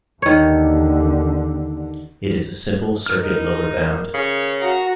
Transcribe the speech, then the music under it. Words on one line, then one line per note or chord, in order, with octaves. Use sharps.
It is a simple circuit lower bound.
D#2 D3 D#3 C#5
D#4 A#4 F6
C#3 C#5
F#4 A#5